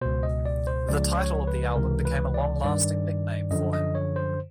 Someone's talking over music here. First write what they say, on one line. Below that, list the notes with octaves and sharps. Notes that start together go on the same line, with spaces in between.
The title of the album became a long lasting nickname for him.
C#2 B2 C5
D#5
D5
C5
C#2 C#3 F3 D5
C#5
B4
C#2 C3 E3 A#4
B4
D5
G2 D#3 D5
F#2 D3 F3 D#5
D#5
C#5
C5